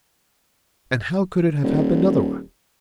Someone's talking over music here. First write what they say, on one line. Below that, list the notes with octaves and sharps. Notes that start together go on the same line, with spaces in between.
And how could it have happened otherwise?
D#1